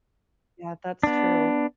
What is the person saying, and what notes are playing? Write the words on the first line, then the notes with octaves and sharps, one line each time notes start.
Yeah, that's true.
B3 D4